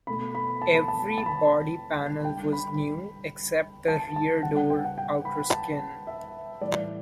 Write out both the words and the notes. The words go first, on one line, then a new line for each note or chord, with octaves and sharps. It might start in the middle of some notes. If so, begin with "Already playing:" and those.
Every body panel was new except the rear door outer skin.
B2 A3 B5
B5
A5
B5
A5
B5
A5
B5
D3 G5
G3
B5
A5
A5
C#3 G3 F#5
F#5
G5
F#5
G5
B5
A5
E5
A2 E3 G3 D5